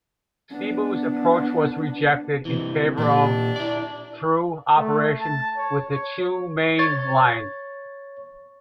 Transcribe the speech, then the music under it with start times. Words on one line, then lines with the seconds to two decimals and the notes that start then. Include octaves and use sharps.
Seibu's approach was rejected in favor of through operation with the Chuo Main Line.
0.51 B3 D4
2.45 C3 E3
2.97 A#2 D4 G4
3.56 E4 D5
4.77 A3
5.21 A5
5.57 C#5
5.89 C#5
6.79 C#5 A6